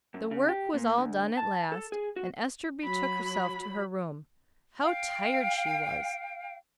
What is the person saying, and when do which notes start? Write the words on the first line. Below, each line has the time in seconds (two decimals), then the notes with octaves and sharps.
The work was all done at last, and Ester betook herself to her room. How tired she was!
0.14 F#2
0.31 C#3
0.48 G4
0.74 A#2
0.98 D2
1.37 A5
1.72 A4
1.92 G#4
2.16 F#4
2.83 F#3 B5
4.81 F5 G5